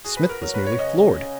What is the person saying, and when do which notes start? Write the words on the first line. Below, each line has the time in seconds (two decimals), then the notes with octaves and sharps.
Smith was nearly floored.
0.05 F#4 G#4
0.17 B4
0.23 F#4
0.29 A#4
0.41 F#3 A#4
0.54 B4
0.60 F#4
0.66 C#5
0.79 C#3 D#5
0.96 C#4
1.15 C#3